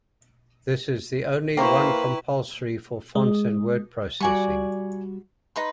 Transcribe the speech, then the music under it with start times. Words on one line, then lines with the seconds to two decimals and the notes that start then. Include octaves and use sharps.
This is the only one compulsory for fonts and word-processing.
1.57 A#3 E4 B4 C5 G5 A#5 C#6
3.15 G#3
4.21 G3 F#4 D5 G#5 C#6
5.56 D#4 B4 C6